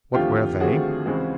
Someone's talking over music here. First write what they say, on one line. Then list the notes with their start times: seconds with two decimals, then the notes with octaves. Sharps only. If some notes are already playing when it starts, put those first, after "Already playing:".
"What were they?"
0.14 D#2 D3 F3 A3 C4 F4 G4
0.60 D#2 D3 F3 A3 C4 F#4 G#4
1.06 C#2 C#3 E3 G#3 C4